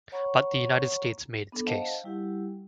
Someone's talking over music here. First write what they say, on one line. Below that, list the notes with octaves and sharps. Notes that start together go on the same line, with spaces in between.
But the United States made its case.
C#5 F#5 A#5 B5 C#6
B3 D4 A4
C5 D#5 F5 F#5 A5
G3 E4 G4 F#5